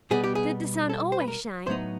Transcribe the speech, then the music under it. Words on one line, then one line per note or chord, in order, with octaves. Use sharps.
Did the sun always shine?
B2 G3 B3 G#4
G4
G#4
A4
C5
B4
A#4
A2 F#3 B3 D#4 C5